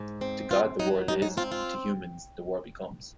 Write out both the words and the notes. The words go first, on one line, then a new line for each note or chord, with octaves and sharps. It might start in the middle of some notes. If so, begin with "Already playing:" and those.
To God the world is, to humans the world becomes.
Already playing: G#2
C4
G#2 F4
F#3 D#4
G#2 D#4
D#4
C4 F4
F4